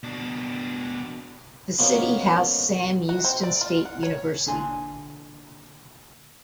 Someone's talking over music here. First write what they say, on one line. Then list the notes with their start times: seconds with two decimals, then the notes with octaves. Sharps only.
The city has Sam Houston State University.
0.03 B2 D4
1.78 B2 F3 G#3 A#3 B3 C#4
3.09 F#4
3.24 C4
3.43 D5
3.61 F4
3.85 F#5
4.03 C#5
4.47 A#2 D3 D4 G#5 C6